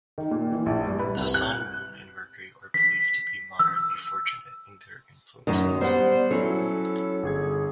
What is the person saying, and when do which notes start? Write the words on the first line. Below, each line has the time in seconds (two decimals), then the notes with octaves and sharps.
The Sun, Moon, and Mercury are believed to be moderately fortunate in their influences.
0.18 D#3
0.31 A#2
0.52 E3
0.66 A#1
0.86 G2
0.99 B4
1.17 C2
1.34 F#6
2.74 B6
3.59 E6
5.47 F#2 D#3
5.81 G3 B3 C5 F#5
6.31 F#3 C#4 E4 A4
7.23 G1 G#4 G#6